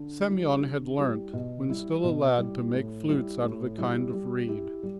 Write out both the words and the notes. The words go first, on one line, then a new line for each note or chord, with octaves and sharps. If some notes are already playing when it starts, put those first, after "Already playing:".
Semyon had learnt when still a lad to make flutes out of a kind of reed.
Already playing: D3
G3 E4 G4
D3
G3 E4 G4
B2
G3 E4
B2
G3 E4
A2
G3 E4 G4
A2
G3 E4 G4
G3
E4 G4
G3